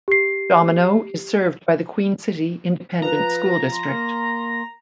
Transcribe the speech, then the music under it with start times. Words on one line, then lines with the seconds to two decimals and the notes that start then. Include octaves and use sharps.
Domino is served by the Queen City Independent School District.
0.08 G4 C7
3.02 F3 F4 B4 A#5
3.72 C6
3.91 A#3